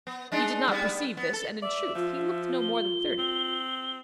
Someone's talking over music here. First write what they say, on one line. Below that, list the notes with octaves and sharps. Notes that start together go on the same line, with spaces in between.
He did not perceive this, and in truth he looked no more than thirty.
B3
G#3 D4 D#4
G3 B3
B3
A4
D5 E5
F3 F4
G7
C4